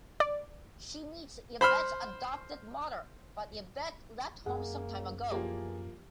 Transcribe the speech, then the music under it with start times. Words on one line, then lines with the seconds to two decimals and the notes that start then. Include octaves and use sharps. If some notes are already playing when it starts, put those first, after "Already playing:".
She meets Yvette's adoptive mother but Yvette left home some time ago.
0.20 D5
1.61 C5 B5 C6 F6
4.46 F#2 G#3 A#3 G#4 F#5
5.32 A1 E2 F3 A#3 G4 G#4